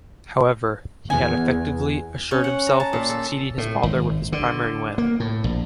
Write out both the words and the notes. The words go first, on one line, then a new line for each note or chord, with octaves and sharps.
However, he had effectively assured himself of succeeding his father with his primary win.
E2 G#5
C#4
F#5
A#5
A5
A#2
A4
A2
G#1
D3
A#3
A2
A#1